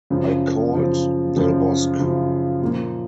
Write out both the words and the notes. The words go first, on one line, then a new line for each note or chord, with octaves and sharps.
I called Del Bosque.
F#2 C#3 F3
F#2 C#3 F3
F#2 C#3 F3
F#2 C#3 F3
A#2 F3 A#3